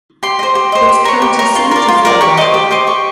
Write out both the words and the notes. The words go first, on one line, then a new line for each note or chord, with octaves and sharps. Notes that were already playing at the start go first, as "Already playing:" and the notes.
Its county seat is Dunlap.
G4 C6
C5 D#5
G4
C5 D#5
G4
A#4 C#5
G4
A#4 C#5
F4 C6
A#4 D5
F4
A#4 D5
G4 C#6
C5 D#5 D6
G4
C5 D#5 D6
G4 C#6